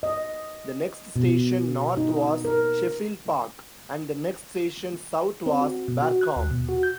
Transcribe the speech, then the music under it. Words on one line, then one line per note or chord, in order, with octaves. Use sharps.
The next station north was Sheffield Park and the next station south was Barcombe.
D#5
B2
D#4
A#4
C4
F#4
B2
F#4
F#6
D#2
B2
F#4
G6